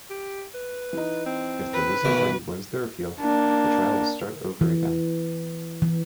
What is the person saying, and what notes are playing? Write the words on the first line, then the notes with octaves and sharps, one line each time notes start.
If the losing party wins their appeal, the trial will start over again.
G4
B4
E3 D#4
C4
B4
B1 D#3 E3 B3 F#4
A#3 D4
E3
E3